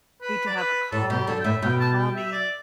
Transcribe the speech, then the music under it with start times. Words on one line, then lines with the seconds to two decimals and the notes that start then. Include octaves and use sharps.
You need to have a calm a calming
0.22 B4
0.47 D5
0.57 B4
0.92 A2 A4
1.10 B2 G4
1.27 D3 A4
1.40 G5
1.44 A2 E5
1.62 B2 G5
1.80 A5
1.98 G5
2.16 E5
2.33 D5